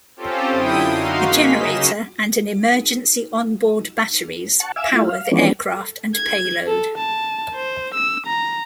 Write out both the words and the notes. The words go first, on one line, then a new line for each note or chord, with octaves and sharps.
A generator and an emergency onboard batteries power the aircraft and payload.
C4 C#4 F4 G4 A4 C5
F#2 D3 E4 G5 D#6
D#4 F#4 F5 C6
A#3 G#4 B6
C#3 F#3 D#4 D#5 E7
F#5 A5 C#6
E5 F5 G#5 D6 E6
A3 E4 F4
F5
E3 F3 G#3 B3 C#4 D4
G#6
A4
A5
C5
E6
A#5